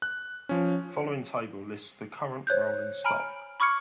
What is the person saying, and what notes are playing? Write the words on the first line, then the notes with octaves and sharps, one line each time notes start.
The following table lists the current rolling stock.
F#6
F3 C#4
C5 C#5 F#6 G6
G#5 A#5 B5 F6 D7 F#7
B5 C#6 D6 F6 G#6 C#7